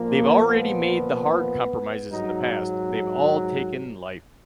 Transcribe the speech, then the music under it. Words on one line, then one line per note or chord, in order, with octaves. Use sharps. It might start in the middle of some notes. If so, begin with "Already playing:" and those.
They've already made the hard compromises in the past; they've all taken life.
Already playing: A#2 F3 A#3
B3
G#2 F#3 D#4